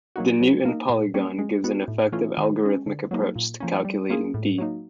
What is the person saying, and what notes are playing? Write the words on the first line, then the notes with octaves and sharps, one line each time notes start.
The Newton polygon gives an effective, algorithmic approach to calculating "d".
F#3 A#3 D#4 F#4
F#3
A#3 D#4
A#2
G3 A#3 C#4
G#3
B3 D#4 F#4
A2
E3 A3 C#4 F4
D#3
G#3 C#4
D3
F#3 A#3 D#4
A#2
F3 A#3 C#4
G3
A#3 C#4 F4 G#4
A2
F#3 A#3 D#4